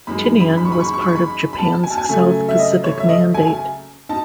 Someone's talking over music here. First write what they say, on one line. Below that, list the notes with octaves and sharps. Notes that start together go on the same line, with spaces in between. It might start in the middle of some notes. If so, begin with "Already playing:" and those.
Tinian was part of Japan's South Pacific Mandate.
F#2 D#3 G#3 B5
B5
B5
B5
C#6
B5
C#6
B5
C#6
B5
C#6
B5
B5
A5
G#5
A5
G#5
C#3 F#3 A3
E5
D#5
C#5
E5
D#5
G#5
G#5
D#4 A5